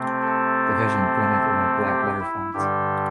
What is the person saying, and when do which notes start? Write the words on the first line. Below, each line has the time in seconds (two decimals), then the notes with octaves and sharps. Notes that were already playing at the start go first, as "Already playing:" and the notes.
Division printed in a blackletter font.
Already playing: C3 A3 C4
0.22 A4
1.88 G4
2.21 E4
2.54 G2 D3 G3 G4